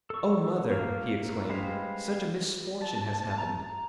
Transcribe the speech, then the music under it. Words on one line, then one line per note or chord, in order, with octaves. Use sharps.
"Oh, mother," he exclaimed, "such a misfortune has happened!"
A4 C#6
A3 A#3 F5
G3 G#3 B4 C5 F5
A5
A#5